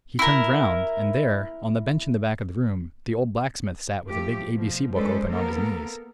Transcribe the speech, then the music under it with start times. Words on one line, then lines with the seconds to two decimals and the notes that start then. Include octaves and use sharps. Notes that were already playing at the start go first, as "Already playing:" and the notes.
He turned round, and there, on the bench in the back of the room, the old blacksmith sat with a big ABC book open on his knees.
0.19 E4 A#4
4.07 F3 A3 G4
4.52 B2 F3
4.96 G#3 C#4 D4 A4 B4 C5
5.29 A#3 B3 A4 A#4